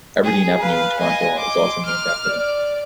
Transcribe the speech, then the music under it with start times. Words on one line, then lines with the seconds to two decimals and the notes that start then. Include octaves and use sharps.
Aberdeen Avenue in Toronto is also named after them.
0.23 G#4
0.60 B4 F5
0.99 D#5 G#5
1.36 C6 D6
1.85 F6
2.28 D5